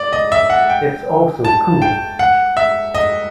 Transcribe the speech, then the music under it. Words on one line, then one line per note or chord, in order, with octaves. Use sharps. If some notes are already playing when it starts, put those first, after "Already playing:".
It's also cool.
Already playing: D5
D#5
E5
F#5
G5
A5
G5
F#5
E5
D#5